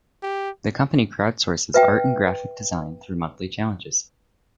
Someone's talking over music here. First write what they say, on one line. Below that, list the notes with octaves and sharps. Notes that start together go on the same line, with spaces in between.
The company crowdsources art and graphic design through monthly challenges.
G4
B4 E5 G5